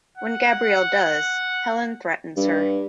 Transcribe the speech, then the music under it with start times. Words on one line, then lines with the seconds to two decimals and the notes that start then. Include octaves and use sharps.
When Gabrielle does, Helen threatens her.
0.17 F#5
2.37 G2